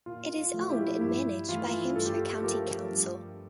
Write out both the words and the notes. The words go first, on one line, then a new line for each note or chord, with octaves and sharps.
It is owned and managed by Hampshire County Council.
A#2 F4
F4
F3 A3
E4 G4
G2 E4
E3 A3 F4
G2 A4
G4
F4 A4
A4
F3 A3 G4 A#4
G2